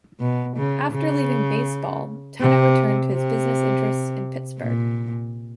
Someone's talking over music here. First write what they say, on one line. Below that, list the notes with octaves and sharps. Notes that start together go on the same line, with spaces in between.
After leaving baseball, Tener returned to his business interests in Pittsburgh.
B2
C#3
C#3
C3
C3
A#2